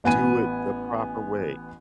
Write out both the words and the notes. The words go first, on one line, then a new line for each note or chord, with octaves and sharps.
do it the proper way.
A1 B3 G#5 D#7